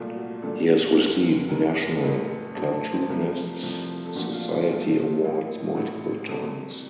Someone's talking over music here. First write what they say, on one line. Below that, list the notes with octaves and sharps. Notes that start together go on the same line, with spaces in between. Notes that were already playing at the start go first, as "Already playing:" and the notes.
He has received National Cartoonists Society awards multiple times.
Already playing: C2 A#2 F#3 A3 F4
F#4
C2 A#2 F#3 A3 A4
F1 D#2 D#3 F#3 A3
F1 D#2 D#3 F#3 A3 A#4
A1 A2 F#3 A3
A1 A2 F#3 A3 A5
A5
C5
C2 C3 F3 A3 A#4
C2 C3 F3 A3
A4
A#1 A#2 A3 F#4
F4
F4
A#1 A#2 A3
A1 A2 F#3
A1 A2 F#3 F#4
C2 C3 F#3 A4